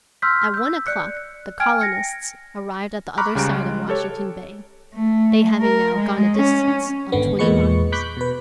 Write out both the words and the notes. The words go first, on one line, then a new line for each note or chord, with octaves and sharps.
At one o'clock the colonists arrived at the other side of Washington Bay, they having now gone a distance of twenty miles.
C6 E6 F6 G6 B6
E6 G6
D5 F#6 C#7
G5 G#5 F6 G#6 D7
A#6 C#7
A#5 B5 C#6 D6 F6 F#6
C#2 C#3 G3 A#5 D7
G#3
G4 A4 C#5
A3
A#4
G#3
C#4
G#1 D3 B3
E2 A#2 G#3 B4 C#6 C#7
B5 C#6 D6 F#6 G6 B6
B2 B4